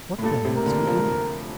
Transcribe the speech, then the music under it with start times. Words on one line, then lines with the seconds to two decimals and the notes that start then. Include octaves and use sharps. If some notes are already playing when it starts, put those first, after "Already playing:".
What then must he do?
0.19 A2
0.23 G2 A#2 A4
0.45 A2 C3
0.56 A#4
0.66 A#2 D3
0.87 D3 F3